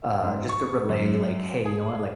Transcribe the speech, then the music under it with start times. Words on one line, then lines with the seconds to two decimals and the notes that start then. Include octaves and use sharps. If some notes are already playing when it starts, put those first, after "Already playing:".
uh, just to relay, like, "Hey, you know what, like,
0.24 G#2
0.49 C#6
0.89 F#2
1.66 G#4